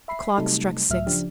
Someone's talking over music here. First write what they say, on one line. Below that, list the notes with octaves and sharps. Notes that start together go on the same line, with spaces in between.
The clock struck six.
E5 B5 C7
C3 F#3 G3 A3 D#4 A4
C#2 A2 F#3 E5 F6
C#3 F3 D4 G4